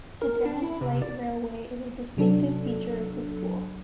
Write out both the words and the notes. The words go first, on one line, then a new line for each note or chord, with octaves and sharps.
The Downs Light Railway is a distinctive feature of the school.
A#4
D4
E4
C3
D5
C3 F#3 D4 A4